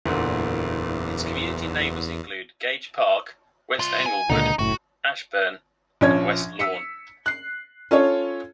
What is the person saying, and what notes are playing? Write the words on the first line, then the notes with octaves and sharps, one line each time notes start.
Its community neighbors include Gage Park, West Englewood, Ashburn, and West Lawn.
F#1 E2 A#2 D3
C2 F4
G#5
C#2 A#2 D3 D#4 D#5
F#1 A2 F#4
A#1 F3 C#4 C#5 G#6
E6 B6 C#7
F#6 C7
C#4 F4 A4 C#5